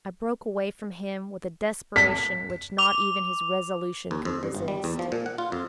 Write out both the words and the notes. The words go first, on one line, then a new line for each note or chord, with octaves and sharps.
I broke away from him, with a desperation which not even his resolution could resist.
B6
D6 F7
D#2
F2
G2
G1
G3
E2
F3
A#2
F#5
F4
F2